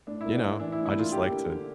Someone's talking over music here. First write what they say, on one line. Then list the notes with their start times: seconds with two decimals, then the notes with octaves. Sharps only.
you know, I just like to
0.07 A2 D4
0.21 A#3 E4
0.34 D4
0.42 A2
0.59 E3 D4
0.72 A2 E4
0.86 E4
0.95 A#3 F4
1.12 D3 G4
1.30 A#3
1.48 D3